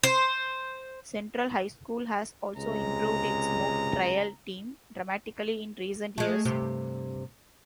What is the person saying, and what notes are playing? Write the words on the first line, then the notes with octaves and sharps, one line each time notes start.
Central High School has also improved its Mock Trial team dramatically in recent years.
C5
C#2 C3 G#3 A#5
G#3 A3
G2 C3 G4